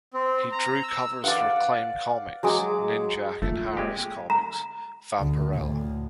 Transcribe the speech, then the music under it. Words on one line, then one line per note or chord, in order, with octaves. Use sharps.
He drew covers for Acclaim Comics' "Ninjak" and Harris Comics' "Vampirella".
C4
A#5
E6
D5 F5 F#5
F#3 G#3 D6
A3 A#3 F4
G#3 C4 G4
A#5
D2 D3
D2 A2